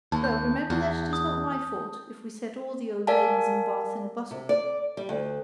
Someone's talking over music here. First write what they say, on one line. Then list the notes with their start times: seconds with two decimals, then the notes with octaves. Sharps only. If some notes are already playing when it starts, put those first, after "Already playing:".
Well, remember that it is not my fault, if we set all the old ladies in Bath in a bustle.
0.12 D#2 A5
0.24 G6
0.70 E2
1.13 D#6
3.07 A#4 D5 F5 G#5 A5
4.31 C3
4.49 D5
4.97 G3
5.09 D2